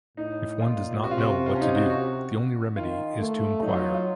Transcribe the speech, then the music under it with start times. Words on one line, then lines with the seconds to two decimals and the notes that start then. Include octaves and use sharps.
If one does not know what to do, the only remedy is to inquire.
0.17 A2 D#4
0.61 A#2 F4
1.04 C3 F#4
1.11 F4
1.18 F#4
1.46 F4
1.55 C#4
1.61 D#4
1.76 F#4
1.90 F#4
2.76 D#3 F4
3.19 A3
3.62 F#3 D#4
3.73 F4
3.94 F4